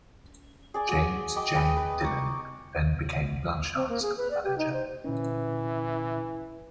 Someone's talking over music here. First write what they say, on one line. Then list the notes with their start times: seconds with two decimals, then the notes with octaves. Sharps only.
James J. Dillon then became Blanchard's manager.
0.74 G#4 D5 G#5
0.89 F#4 G#4
1.36 D#5 G5 B5 D6
1.55 G#4 B4 G5
1.77 B4 B5
2.02 A#5 C#6 D6
3.75 C4
3.89 A#3
4.02 G#4
4.17 B4
4.31 D5
4.44 G4
4.58 D#4
4.73 C5
5.04 A#2 D3 E3 C#4